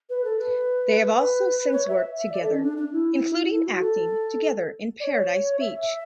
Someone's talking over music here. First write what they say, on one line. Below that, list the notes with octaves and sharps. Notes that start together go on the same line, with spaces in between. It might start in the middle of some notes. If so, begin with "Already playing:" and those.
They have also since worked together, including acting together in "Paradise Beach".
B4
A4
B4
B4
C#5
E5
E5
D5
A4
C#4
D4
D4
E4
E4
F#4
A4
D5
C#5
E5
E5